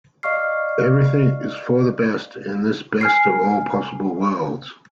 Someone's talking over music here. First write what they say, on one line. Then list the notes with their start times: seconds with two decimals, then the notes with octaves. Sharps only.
Everything is for the best in this best of all possible worlds.
0.23 D5 D#5 F5 C#6 F6 C7
3.01 G#5 F6 C7